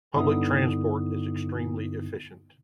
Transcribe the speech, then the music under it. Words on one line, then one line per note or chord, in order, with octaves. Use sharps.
Public transport is extremely efficient.
G2 D3 B3 D#4 E4 D#6